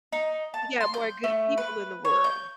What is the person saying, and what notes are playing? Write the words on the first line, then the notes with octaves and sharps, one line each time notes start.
We got more good people in the world.
D#4
A5
C6
G6
A3
B4
C#5
G6